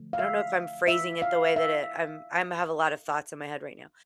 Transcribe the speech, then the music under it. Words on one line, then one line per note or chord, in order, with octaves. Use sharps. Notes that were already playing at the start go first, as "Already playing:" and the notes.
I don't know if I'm phrasing it the way that it I'm I'm have a lot of thoughts in my head right now,
Already playing: D3 F3 A3
F5
E5
E5
F5
E5